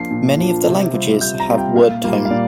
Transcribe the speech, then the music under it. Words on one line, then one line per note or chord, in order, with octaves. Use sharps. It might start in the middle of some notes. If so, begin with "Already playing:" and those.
Many of the languages have word tone.
Already playing: F3 A#3 D4 F4 C7
A#2
F3 A#3 D4 F4
C3
G3 C4 F4
C3 G6
A#5
G3 C4 F4
G5
A#2 F5
G3 A#3 F4
F5
A#2 D5